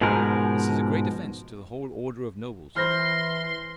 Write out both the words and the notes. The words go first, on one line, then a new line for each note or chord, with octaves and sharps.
This is a great offence to the whole order of nobles.
G#2 B2 F3 G#3 A#4
E3 C5 B5 C6 F6 G6 A#6